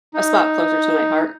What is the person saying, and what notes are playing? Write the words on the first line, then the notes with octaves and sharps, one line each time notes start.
a spot closer to my heart.
D#4